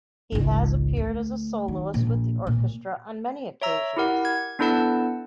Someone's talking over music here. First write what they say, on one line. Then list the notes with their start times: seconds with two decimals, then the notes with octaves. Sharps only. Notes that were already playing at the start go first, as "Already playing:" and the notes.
He has appeared as a soloist with the orchestra on many occasions.
0.32 G#1 C#2
0.97 D2
1.68 D#3
1.94 A#1
2.47 A#2
3.61 C#5 E5 A#5 E6
3.97 E4 G4 A#4 F#5
4.25 G#6
4.59 B3 D4 E4 A4 F#5 A5